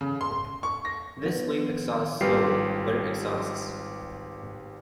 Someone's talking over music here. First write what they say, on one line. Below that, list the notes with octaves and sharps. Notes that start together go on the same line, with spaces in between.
This sleep exhausts slowly, but it exhausts.
C#3
C6
C#6
A#6
D#3 F3 B3
G#1 G3 F4 G4 B4 C7